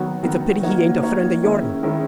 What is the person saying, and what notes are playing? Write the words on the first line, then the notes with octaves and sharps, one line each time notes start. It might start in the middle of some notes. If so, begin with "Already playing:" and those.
It's a pity he ain't a friend o' yourn.
Already playing: D#3 F#3 B3 F#4
D#3 F#3 B3 F#4
A#3 D#4 F#4 C#5
A#3 D#4 F#4 C#5
D#3 G#3 C#4 E4
D#3 G#3 C#4 E4